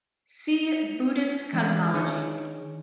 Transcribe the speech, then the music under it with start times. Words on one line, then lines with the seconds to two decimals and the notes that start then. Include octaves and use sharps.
See "Buddhist cosmology".
1.53 E3 G#3 D4
1.94 D#3 D4 D#4 G#4 C#5